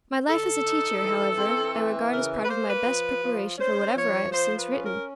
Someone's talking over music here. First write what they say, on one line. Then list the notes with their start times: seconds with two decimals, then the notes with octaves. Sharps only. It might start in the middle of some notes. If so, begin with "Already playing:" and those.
My life as a teacher, however, I regard as part of my best preparation for whatever I have since written.
0.27 D3 A4
0.65 D#4
1.00 E3
1.38 C4
1.75 E3
2.11 C#3 A#4
2.43 B4
2.49 A#3 C5
2.67 B4
2.84 F3
3.22 F3
3.58 C#4 C5
3.95 F3 C#5
4.32 F3 C5
4.57 B4
4.68 C#4
4.81 A#4